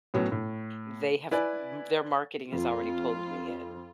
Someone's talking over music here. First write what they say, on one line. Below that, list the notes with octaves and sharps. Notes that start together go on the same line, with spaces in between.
they have m their marketing has already pulled me in.
A2 F#3 B3 C#4
A2
E4 B4 D5 G#5
F2 F4